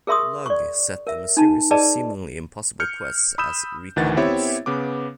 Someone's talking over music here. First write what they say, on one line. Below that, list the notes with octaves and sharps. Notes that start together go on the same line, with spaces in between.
Lug set them a series of seemingly impossible quests as recompense.
G#4 A#4 E5 C6 C#6 D#6
D5 C#6
A#4 E5
D#4 A5
G#4 B4 D5 D#5 A5
F6 G6 C#7
B5 D#6 E6 G6 E7
D2 D#3 E3 F#5 A6
B3 C4 E4 G4 C#5 E5
C#3 B3 B4 D6